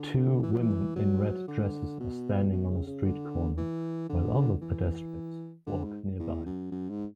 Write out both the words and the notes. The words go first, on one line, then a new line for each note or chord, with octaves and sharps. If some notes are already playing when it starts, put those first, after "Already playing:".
Two women in red dresses are standing on a street corner while other pedestrians walk nearby.
Already playing: D3
E3
F#3
E3
F#3
D3
B2
B2
C#3
C#3
D3
E3
D3
E3
D3
G#2
E2
F#2
F#2
G#2